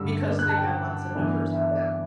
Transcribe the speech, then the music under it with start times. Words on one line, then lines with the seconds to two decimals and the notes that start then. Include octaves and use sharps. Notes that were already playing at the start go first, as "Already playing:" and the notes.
because they had lots of numbers on them.
Already playing: G2 D3 G3 C#4 E6
0.39 F#6
0.49 A5
0.58 G5
0.67 F#5
1.15 G2 E3 B3 D4
1.53 E5
1.71 D5